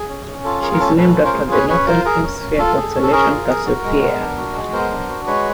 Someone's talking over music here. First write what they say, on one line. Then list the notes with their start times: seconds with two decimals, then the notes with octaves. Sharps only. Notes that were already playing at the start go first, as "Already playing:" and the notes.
She is named after the northern hemisphere constellation Cassiopeia.
Already playing: G#4
0.09 C#4
0.27 C#4
0.44 F4 A4
0.62 G#4 A#4
0.73 A#4
0.80 C#4 A4
0.97 C#4 A4 B4
1.15 F4
1.25 A#4 C5
1.33 G#4
1.51 C#4 B4 C#5
1.69 C#4 B4 C#5
1.87 F4 A#4 C5
2.05 G#4 A#4
2.22 C#4
2.40 C#4
2.59 F4 A4
2.77 G#4
2.95 C#4
3.03 A4
3.12 C#4 G#4 A#4
3.30 F4
3.48 G#4
3.65 F#4
3.84 G#3
4.02 B3
4.20 D4
4.38 F#4
4.55 G#3
4.73 B3 A#4 C5
4.91 D4
5.09 F#4
5.26 G#3 B4 C#5